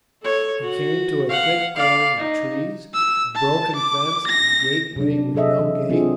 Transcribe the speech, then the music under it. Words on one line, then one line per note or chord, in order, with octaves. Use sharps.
He came to a thick grove of trees, a broken fence, a gateway with no gate.
A4 C#5
F#4
F5 F#5
D5 F5
D#4
E6
A5
D6
A#6
C3 F#3 D4
C3 F#3 G#4 A4 D#5 E5
E3
F#3 C4 D4 F4 G#4